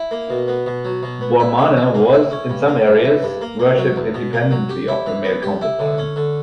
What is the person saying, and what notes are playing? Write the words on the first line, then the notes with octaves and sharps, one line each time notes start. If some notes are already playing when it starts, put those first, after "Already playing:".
Bormana was, in some areas, worshipped independently of her male counterpart.
Already playing: E4
A#3
B2
B3
B2
F#3
B2
B3
E4
C#4
E3
A#3
E4
C#4
G2
A#3
G2
E3
G2
A#3
A#3
F#3
E2
B2
A#3
F#3
G4
E4
E3
B3
G4
E4
D3
C#4
D3